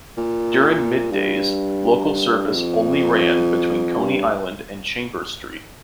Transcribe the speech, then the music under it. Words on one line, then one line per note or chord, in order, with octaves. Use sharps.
During middays, local service only ran between Coney Island and Chambers Street.
A#2
G2
F2
G2